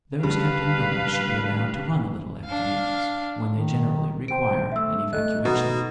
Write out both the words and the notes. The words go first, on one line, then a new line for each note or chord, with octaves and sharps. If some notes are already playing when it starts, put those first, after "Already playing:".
Those kept in-doors should be allowed to run a little after meals, when they generally require an evacuation.
D2 G2 C#3 G3 B4 F5
D4 F5
D#3
C5 G5 D7
A3 E5 E6
A3 A4 D#5 F#6
B2 D#4 F#4